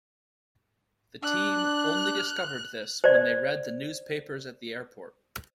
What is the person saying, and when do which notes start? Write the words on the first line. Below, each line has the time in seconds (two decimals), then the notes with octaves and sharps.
The team only discovered this when they read the newspapers at the airport.
1.23 D4 F#6
3.04 C5 D5